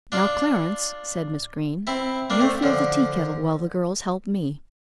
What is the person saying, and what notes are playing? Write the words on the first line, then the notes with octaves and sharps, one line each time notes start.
"Now, Clarence," said Miss Green, "you fill the teakettle while the girls help me."
D4 F4
C4 E4
A#3 D4
A3 C4
D3 F3